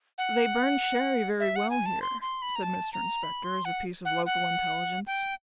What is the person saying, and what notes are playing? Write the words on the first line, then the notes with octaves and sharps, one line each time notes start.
'They burn sherry very well here,' said Mr Inspector, as a piece of local intelligence.
F#5
E5
F#5
G#5
A5
C6
C6
B5
A#5
A5
A#5
B5
C6
F#5
F#5
F#5
G5